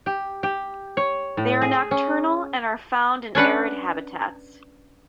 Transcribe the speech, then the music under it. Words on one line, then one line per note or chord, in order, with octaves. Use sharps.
They are nocturnal and are found in arid habitats.
G4
G4
C#5
A2
G#4
C#4
C#4 D4 B4 F#5